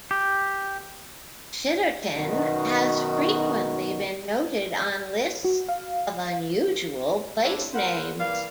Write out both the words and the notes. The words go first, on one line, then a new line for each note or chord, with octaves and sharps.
Shitterton has frequently been noted on lists of unusual place names.
G4
F#2 B2 D#3 B3 D#4 F#4
F#4
F5
G3 C4 D4 E4 A4 C#5
E4 A#4 C5 F#5
E3 G3 A#3 F5